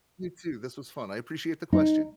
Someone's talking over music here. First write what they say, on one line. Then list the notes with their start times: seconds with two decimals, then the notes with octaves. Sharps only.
You too, this was fun. I appreciate the question.
1.73 D#4